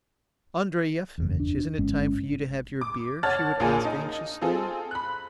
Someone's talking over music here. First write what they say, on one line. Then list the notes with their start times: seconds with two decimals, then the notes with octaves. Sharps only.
"Andrey Yefimitch, isn't it time for you to have your beer?" she would ask anxiously.
1.18 F#1 E2
1.40 D4
1.78 G1 G#3 C#4
2.81 D6
3.23 C#5 F#5 A5 F6 A6
3.60 A#1 A#3 F4 G#4 G#5 A5
3.85 D#4
4.41 C4 F4 G#4 A4
4.91 B5 F#6